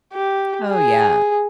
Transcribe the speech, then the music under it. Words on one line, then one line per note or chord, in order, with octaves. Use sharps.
Oh, yeah.
G4
G#4